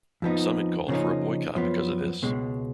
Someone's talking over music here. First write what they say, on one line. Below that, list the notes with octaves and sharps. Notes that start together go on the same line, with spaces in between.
Some had called for a boycott because of this.
F2 F3 B3 D#4
C#3 F3 A#3 D#4
F#2 F3 B3
C#2 B2 G#3